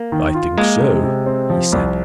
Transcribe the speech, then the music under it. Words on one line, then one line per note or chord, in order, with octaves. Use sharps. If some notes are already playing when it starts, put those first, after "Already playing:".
"I think so," he said.
Already playing: A#3
D#3
F4
G#3 A#3
C3
C3
C4
F3
C2